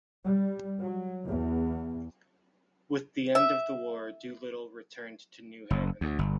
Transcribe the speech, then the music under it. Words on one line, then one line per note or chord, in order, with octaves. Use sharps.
With the end of the war Doolittle returned to New Haven.
G3
F#3
E2
E5
F#1
D2
G1